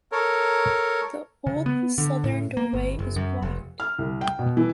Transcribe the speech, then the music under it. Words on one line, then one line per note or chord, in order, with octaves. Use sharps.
The old southern doorway is blocked.
A4 A#4 C#5
C#3
B3
D3
A2
A#3
G1
F#1
F#2
F1
F6
C2
G5
B2
E3